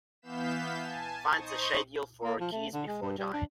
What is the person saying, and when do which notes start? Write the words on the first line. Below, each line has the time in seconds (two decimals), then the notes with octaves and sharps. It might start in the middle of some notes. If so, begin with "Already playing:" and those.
Find the schedule for A Kiss Before Dying.
0.22 E3 B3 F5 G6 B6 E7
0.79 G#5 A5
1.33 D#4 C5 C#6 D#6
2.24 A#3
2.40 F3
2.52 A3
2.74 D3
2.87 G#3
3.02 G2
3.18 G3
3.33 D4